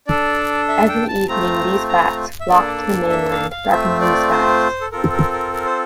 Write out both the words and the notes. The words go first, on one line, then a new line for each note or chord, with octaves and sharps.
Every evening, these bats flock to the mainland, darkening the skies.
D4 A4 D5
E5
G5
A5
A3 C4 F4 A#5
A#5
E5
A#3 D4 A4 D5
E5
F5
F5
A3 C4 F4 E5
D5
C5
A4
C4 F4 A4 A#4
A#4
A#4
A#4
C5